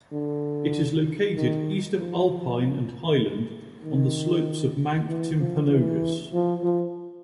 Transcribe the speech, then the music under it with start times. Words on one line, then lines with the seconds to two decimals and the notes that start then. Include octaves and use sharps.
It is located east of Alpine and Highland on the slopes of Mount Timpanogos.
0.12 D3
1.36 D#3
1.98 F3
3.84 D#3
5.08 E3
5.39 F3
5.70 E3
6.33 F3
6.63 F3